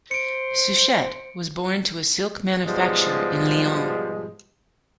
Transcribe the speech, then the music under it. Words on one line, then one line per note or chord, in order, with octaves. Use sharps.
Suchet was born to a silk manufacturer in Lyon.
C5 C#7 D7
G#2 B2 F3 G3 G#3